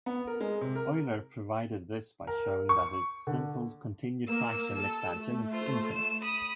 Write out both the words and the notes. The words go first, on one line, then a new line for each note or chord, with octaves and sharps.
Euler proved this by showing that its simple continued fraction expansion is infinite.
B3
A#4
G#3
C3
A#4
A#4
C#6
D3
A#3 E6
A4
A3
F4 C5
E7
B5 D#6